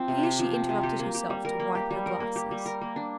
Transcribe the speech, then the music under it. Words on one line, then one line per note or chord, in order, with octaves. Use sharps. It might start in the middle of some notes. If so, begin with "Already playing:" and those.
Here she interrupted herself to wipe her glasses.
Already playing: F3 C4
C3
G4
F3
C4
C3
G4
A#3
G4
G3
A#4
A#3
G4
G3
A#4
A#3
G4
G3
A#4
A#3
D4